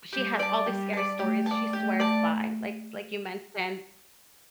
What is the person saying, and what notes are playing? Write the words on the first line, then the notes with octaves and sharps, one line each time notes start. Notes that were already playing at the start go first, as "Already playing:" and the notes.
she has all these scary stories, she swears by. Like like you mentioned
G3 G4
D5 A5
G3 G4
D5 A5
A3 G4
D5 A5
A3 G4
D5 A5